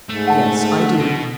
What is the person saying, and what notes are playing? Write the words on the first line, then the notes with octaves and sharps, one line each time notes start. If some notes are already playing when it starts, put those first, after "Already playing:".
"Yes, I do."
G#2 A3
F#5 A5
D3
B2